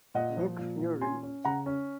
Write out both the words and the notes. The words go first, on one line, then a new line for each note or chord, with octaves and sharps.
Nick Fury.
A#2 D#5 F#5
F3
A#2
A#2
C#4 G#5 C6
C#4
C#3 F#5 A#5
C#4